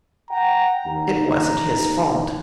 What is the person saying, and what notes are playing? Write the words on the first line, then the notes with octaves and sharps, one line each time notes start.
It wasn't his fault.
F#5 G5 A#5
D#2 A#5
D#2